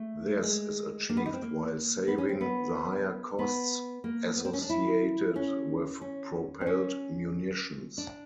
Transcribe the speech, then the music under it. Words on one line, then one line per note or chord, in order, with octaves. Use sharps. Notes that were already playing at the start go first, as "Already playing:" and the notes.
This is achieved while saving the higher costs associated with propelled munitions.
Already playing: A3
G#3
A#3
B3
D#4
C4
A#3
B3
C#4
C4
B3
B3
A#3
B3
C4
C#4
D4
E4
C#4
C#4
C4
C#4
D4